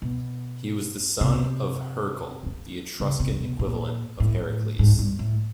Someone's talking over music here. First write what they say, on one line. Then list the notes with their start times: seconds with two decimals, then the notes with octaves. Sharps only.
He was the son of Hercle, the Etruscan equivalent of Heracles.
0.02 B2
1.21 C3
3.00 C#3
3.20 C3
3.40 B2
3.59 A#2
4.20 A2
4.79 G#2
4.99 G2
5.19 A2